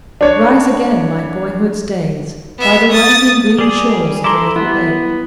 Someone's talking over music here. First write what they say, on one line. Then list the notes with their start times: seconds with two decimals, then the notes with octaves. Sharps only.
Rise again, my boyhood's days, by the winding green shores of the little lake.
0.21 D4 C#5
2.58 B3 E5
2.91 D#6 A6
3.59 G3 G#4
4.24 E4 A4 A#5 C6 D6
4.56 B3 E4